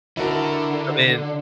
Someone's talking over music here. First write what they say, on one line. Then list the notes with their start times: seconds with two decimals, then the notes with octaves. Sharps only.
I mean,
0.17 D3 E4 F#4 A#4